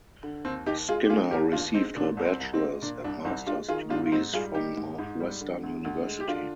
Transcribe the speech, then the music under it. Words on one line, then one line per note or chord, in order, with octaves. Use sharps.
Skinner received her Bachelor's and master's degrees from Northwestern University.
D3
D#2 C4
D#2 D#4 G4
G#3 F4 G#4
G4
D3 F4 G#4
D#2 G4 A#4
D#2 D4 F4
G#3 C4 D#4
A#2 D4
C2
C4
C2
C4 D#4
G#3
A#2 D4
C2 D4
C2 C4 D#4
G#3 D4 F4
D#3 F4 G#4
G#2 D4 F4
F4
G#2 C4 D#4
G3 F4 G#4
D#3 D#4 G4
G#2
G#2
G3
D3
D2
D2
G#3
G4
D3 D4 F4